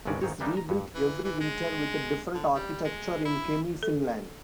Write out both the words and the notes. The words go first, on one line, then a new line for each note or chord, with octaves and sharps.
It is rebuilt every winter with a different architecture in Kemi, Finland.
G1 C2 G2 G#3 C#4 D5
A1 G#2 D#3 C4 C#5
E3 G3 A#3 D4 D#4
A#5
G2
E3
E3
G#3
D3
G3
G#3
E4
A4